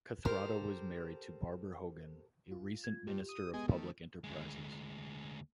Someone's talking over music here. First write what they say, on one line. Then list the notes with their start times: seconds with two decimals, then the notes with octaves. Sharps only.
Kathrada was married to Barbara Hogan, a recent Minister of Public Enterprises.
0.25 G4 A4 A#4 C5
2.52 F4
2.84 G#6
3.07 G2 G4
3.29 D#6
3.54 G#3 B3 D#5 G#5
3.68 D#3 A3
4.24 D2 G#3